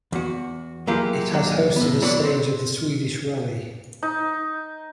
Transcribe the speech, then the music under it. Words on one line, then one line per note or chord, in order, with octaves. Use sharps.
It has hosted a stage of the Swedish rally.
E2 F#4
F#3 A#3 E4 F4 G4 G#4
D#2 F#3 D4
A2 B3
C3 E3 F#3 B3 D4
C4
D#4